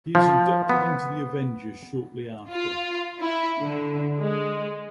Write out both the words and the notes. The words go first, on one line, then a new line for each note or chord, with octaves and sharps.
He is inducted into the Avengers shortly after.
F3
B3
F4
E4
D3
G#3